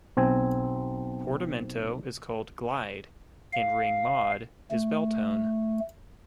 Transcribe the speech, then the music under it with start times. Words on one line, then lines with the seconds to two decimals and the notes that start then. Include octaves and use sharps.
Portamento is called "Glide" and Ring Mod is "Bell Tone".
0.17 B1 C4 G#5
3.53 F5
4.71 A3